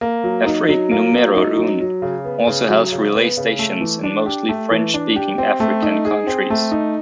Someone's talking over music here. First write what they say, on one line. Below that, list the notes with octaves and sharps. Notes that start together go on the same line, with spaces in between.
Afrique Numero Un also has relay stations in mostly French-speaking African countries.
A#3
F#3
D#4
F#3
A#3
F#3
D#4
F#3
F#3
C#3
B3
C#3
F#3
C#3
B3
C#3
A3
E3
D4
G4
A3
E3
D4
G4
C4
A3
D#4
G#4
C4
A3
D#4